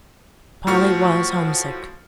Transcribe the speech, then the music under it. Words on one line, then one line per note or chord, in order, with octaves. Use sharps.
Polly was homesick.
A2 F3 F#4 C5 C#6 F6